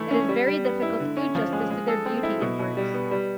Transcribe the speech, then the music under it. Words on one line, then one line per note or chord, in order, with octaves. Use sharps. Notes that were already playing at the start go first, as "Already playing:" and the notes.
It is very difficult to do justice to their beauty in words.
Already playing: E3 A3 E4
C#4
G3
G3
B3
E4
D3
C#4
F3
G#3
G#3
A4
C4
E4
B2
B2
G3
B3
G3